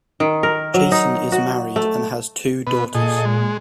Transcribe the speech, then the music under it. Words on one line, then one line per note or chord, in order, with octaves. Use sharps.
Jason is married and has two daughters.
D#3
A#4
F#3
D#4
F#4
A3
B2 B4
A#2 G#4 A4 D#5
G#3